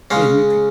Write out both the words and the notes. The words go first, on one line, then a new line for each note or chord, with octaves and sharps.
And you could
C#3 G#3 C#4 F5